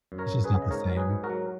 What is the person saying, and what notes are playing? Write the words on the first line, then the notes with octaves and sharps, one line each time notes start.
It's just not the same.
F#2
A#4 C#5
F#2
G#4 B4
C#3
D#5
G#2 A#4 C#5
F#3 A#4
G#4 B4
G#2
F#4 A#4
F#3